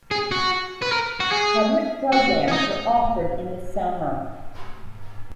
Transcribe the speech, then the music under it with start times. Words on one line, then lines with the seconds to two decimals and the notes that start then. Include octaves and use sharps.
Public programs are offered in the summer.
0.11 G#4
0.32 F#4
0.82 B4
0.92 A#4
1.20 F#4
1.32 G#4
2.12 F#4
2.48 C#4
2.53 D#4